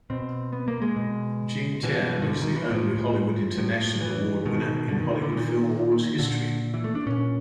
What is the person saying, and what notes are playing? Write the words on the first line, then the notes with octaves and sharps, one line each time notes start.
Jing Tian is the only Hollywood International Award winner in Hollywood Film Awards history.
B2 C4
B3
A#3
G#3
B2
B2 E3
D#3
D3
D#3
E3
A2 F3
A2
E3
B2 D#3
D3
D#3
D#3
D3
A#2 D#3
A#2 D3
E3
A3
D4
A#2 C#4